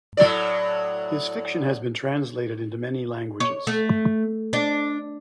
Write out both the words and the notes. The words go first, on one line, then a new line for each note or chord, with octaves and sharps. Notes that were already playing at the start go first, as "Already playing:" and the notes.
His fiction has been translated into many languages.
A2 F#3 D5
C#5
A3
D4